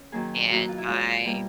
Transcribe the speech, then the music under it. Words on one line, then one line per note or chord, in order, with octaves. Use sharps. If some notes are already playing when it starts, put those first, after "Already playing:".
And I
Already playing: C#4
D#3 F#3 A#3 G#4
B2 F#3 A#3 F#4
F4
E4
E3 G#3 C#4 F4
B2 G3 A#3